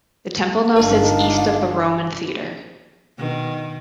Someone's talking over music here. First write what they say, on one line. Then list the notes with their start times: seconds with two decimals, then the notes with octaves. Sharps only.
The temple now sits east of the Roman theater.
0.77 G1 D4 D#4 A#4 F5
3.18 B2 D#3